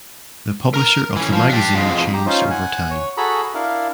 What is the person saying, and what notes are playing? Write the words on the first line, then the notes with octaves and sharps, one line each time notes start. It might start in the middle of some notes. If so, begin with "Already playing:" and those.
The publisher of the magazine changed over time.
A#4 A#5
E3 C#4
F3
D4 G4
F2 G#3
G4 A#5
C#4 D#4 F4 C5
F#5 G#5
C#5
F#4 G#4 A4 A#5 B5
D4 E4 A#4 F5